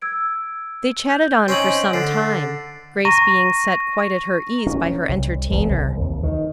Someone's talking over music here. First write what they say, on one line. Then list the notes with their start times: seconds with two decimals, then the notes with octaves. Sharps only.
They chatted on for some time, Grace being set quite at her ease by her entertainer.
0.02 E6 G#6 D7
1.09 G6
1.48 C4 C#4 D#4 G#5 G#6 F#7
1.94 D3 A6 C7
3.05 A#5 C#6 A#6 D#7
4.67 C#4
5.09 C2
5.50 E1
5.70 C2
6.01 D#2
6.23 D#3